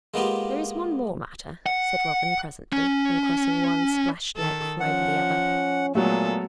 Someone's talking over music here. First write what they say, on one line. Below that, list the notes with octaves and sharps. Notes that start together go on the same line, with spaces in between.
"There is one more matter," said Robin presently, uncrossing one splashed leg from over the other.
G#3 A#3 B3 F4 G4
F#5
C#4
D#3 A4
F3 C#4 F#5
A#2 F#3 G#3 A3 B3 A4